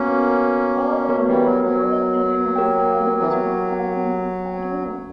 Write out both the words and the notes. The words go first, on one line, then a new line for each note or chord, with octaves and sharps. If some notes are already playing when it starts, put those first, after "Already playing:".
All the while, loyal patrons held vigils out on its sidewalks.
Already playing: A#3 B3 C#4 F#4 A#4
B3 F#4 A#4 C#5
E3 G3
F#3
F#3
G4 A#4 C#5 G5
E3
F#3